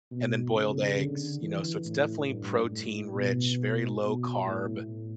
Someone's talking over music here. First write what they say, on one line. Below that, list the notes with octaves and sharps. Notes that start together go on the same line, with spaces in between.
and then boiled eggs, you know, so it's definitely protein-rich, very low-carb,
B2
C#3
D3
E3
A2
G2
A2
B2
B2
A2